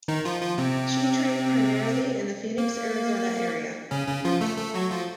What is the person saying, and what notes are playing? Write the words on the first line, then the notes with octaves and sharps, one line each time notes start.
She trained primarily in the Phoenix, Arizona area.
D#3 D#4
F3 F4
F3 F4
C3 C4
A#3
C#3 C#4
C#3 C#4
F3 F4
A3 A4
A3 A4
F#3 F#4
F3 F4